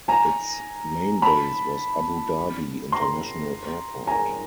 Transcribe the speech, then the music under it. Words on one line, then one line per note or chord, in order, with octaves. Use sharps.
Its main base was Abu Dhabi International Airport.
G#5 A#5
A5 B5
A#5 C6
G#5 A#5